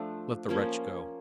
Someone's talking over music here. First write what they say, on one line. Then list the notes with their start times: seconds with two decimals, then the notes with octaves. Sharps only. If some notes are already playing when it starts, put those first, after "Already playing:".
Let the wretch go.
Already playing: F3 A3 D4
0.49 F3 A#3 C#4